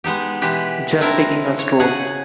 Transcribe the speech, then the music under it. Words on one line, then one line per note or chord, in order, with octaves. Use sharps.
Just taking a stroll.
G#3 B3 D#4 G4
B2 E3 G#3 G4 B4
C4 D4 E4 A#4
C#5
C#3 G#4 F#5